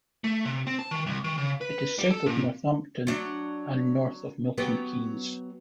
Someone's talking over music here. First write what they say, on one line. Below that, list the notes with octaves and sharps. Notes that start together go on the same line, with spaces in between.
It is south of Northampton and north of Milton Keynes.
A3
C3
C4
A5
D#3
C2
D#3
C#3
B4
G3
A4
A#2
F#3 D4
F#3 B3 G4